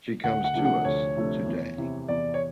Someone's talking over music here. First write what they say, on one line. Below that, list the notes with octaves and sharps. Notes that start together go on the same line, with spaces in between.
She comes to us to-day.
D2 F#5
F#5
C3 F3 A3 D4
F#5
D2 C#5
C3 F3 A3 D4
E2
C3 E3
E2 D5
C#5